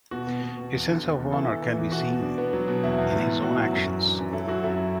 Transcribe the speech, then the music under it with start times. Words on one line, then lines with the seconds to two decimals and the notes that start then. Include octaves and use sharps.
His sense of honor can be seen in his own actions.
0.11 B2 F#4
0.27 B2
0.42 B2
0.57 B2
0.72 E2
0.87 D3
1.02 E2
1.17 E2
1.32 E3 E4 A4
1.48 E3
1.62 E3
1.77 E2
1.92 B2 F#4
2.08 B2
2.23 D4
2.38 B3
2.53 F#3
2.68 B2
2.83 E2 E4
2.98 E2
3.12 A2
3.28 A3
3.43 A2 F#4
3.58 F#3
3.73 F#2
3.88 E3
4.04 D4
4.19 F#2
4.33 F#3 E4 A4
4.48 F#3 F#4
4.63 F#2 E4 A4